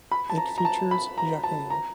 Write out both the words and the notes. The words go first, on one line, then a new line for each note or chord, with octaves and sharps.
It features Jaheim.
B5
A5
A#5
A#5
A5
B5
A#5
A5
A#5